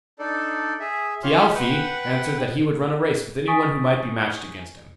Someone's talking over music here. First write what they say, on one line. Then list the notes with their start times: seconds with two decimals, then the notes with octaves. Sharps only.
Thialfi answered that he would run a race with any one who might be matched against him.
0.19 D4 D#4 A4 D5
0.80 G#4 E5
1.23 F4 G4 C#5 C6 F6
1.55 B4 F#5 G5
3.47 G#5 C#6 D#6 A6 B6 D7